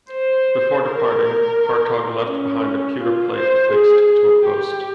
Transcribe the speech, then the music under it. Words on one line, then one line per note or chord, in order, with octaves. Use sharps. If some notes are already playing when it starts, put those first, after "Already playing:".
Before departing, Hartog left behind a pewter plate affixed to a post.
C5
A#4
C#4
F4
C5
G#4
G#4
G4